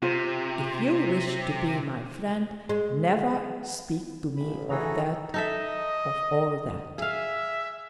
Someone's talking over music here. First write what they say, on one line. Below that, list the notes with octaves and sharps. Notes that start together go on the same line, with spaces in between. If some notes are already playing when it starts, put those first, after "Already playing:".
If you wish to be my friend never speak to me of that... of all that!
C3 F4 C5
G#3
A1 B5
G2 D3 E3 F#4 G#4 A4 A#5
D#4 A4 D#5 E5
G#4 E5 F5